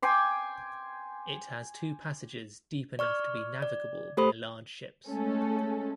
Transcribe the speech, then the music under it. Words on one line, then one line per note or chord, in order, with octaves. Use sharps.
It has two passages deep enough to be navigable by large ships.
G5 G#5 C6 D6
D5 C#6 F6
D5
A3 G4 A4 C5 B5 D#6
G#3 A3 C#4 A4